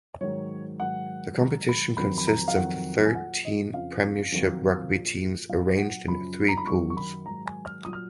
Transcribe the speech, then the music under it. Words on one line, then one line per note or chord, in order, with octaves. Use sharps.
The competition consists of the thirteen Premiership Rugby teams arranged in three pools.
G#2 D#3 F#3 C#5
G#2 D#3 F#3 F#5
G#2 D#3 F#3 A#5
B5
F2 D#3 F#3 B5
B5
A#5
F5
F2 D#3 F#3 F#5
G#5
A#2 F#3 F#5
D#5
F2 C#3 F3 F5
F2 D#3 F#3
A#2 F3
A#2 F#3 F5
F#5
F#2 C#3 F3 B5
A#5
B5
F#2 D#3 F#3 C#6
C#6
B5
G#2 D#3 F#3 A#5
G#5
F6
A#2 F#3 D#6
F6